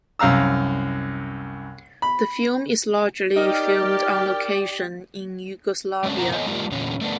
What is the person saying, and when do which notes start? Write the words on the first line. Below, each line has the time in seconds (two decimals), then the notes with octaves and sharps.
The film is largely filmed on location in Yugoslavia.
0.19 C2 F#2 F5 A#5 E6
2.02 B5
3.36 D#4 G4 A#4 D5 F6
6.04 G#3 A3 C#4 D4
6.19 F2 B2 E4 A#4 F#5 A#5
6.32 B3 A4 C#5 D#5 G#5
6.46 G#3 A#3 D4 F4 G4 A#4
6.71 E2 A#2 D3 C#4
7.01 A3 B3 D4